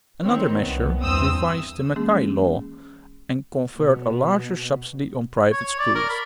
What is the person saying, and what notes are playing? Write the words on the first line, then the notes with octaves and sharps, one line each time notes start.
Another measure revised the Mackay Law and conferred a larger subsidy on "private" schools.
D#3 C4 C#5
C2 B3
E2 G2 C4 D#6 E6
E3 G#3 A#3 C#4 G#4
B2
C#5
D5
A#4
B5